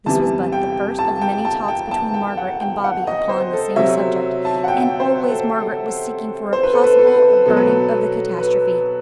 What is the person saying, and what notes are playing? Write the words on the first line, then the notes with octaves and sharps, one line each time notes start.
This was but the first of many talks between Margaret and Bobby upon the same subject, and always Margaret was seeking for a possible averting of the catastrophe.
E2 C3 E3 G3 A5
G5
A5
G5
A5
G5
A5
G5
F#5
G5
F#5
D#5
C5
A4
C3 F#3 C4 E5
A5
F#5
G5
C5
A4
A4
C5
B4
A4
B4
A4
B4
A4
B2 F#3 B3 A4
B4
A4
B4